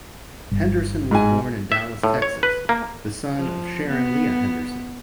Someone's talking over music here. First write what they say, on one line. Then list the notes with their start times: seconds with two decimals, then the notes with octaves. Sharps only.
Henderson was born in Dallas, Texas, the son of Sharon Lea Henderson.
0.51 G1
1.11 G#2 G#5
1.72 E5
2.03 A2
2.22 C#5
2.43 B4
2.69 A#3
3.34 F3
3.87 B3